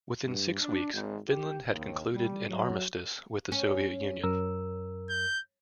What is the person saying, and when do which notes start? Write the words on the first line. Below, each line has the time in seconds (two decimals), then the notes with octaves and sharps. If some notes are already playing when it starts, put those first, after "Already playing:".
Within six weeks, Finland had concluded an armistice with the Soviet Union.
0.24 G2
0.60 D4
0.92 G#1
1.27 G4
1.70 D#2
2.13 G3
2.49 F#3
3.52 C#4
4.24 F#2 A#4 E6
5.10 G6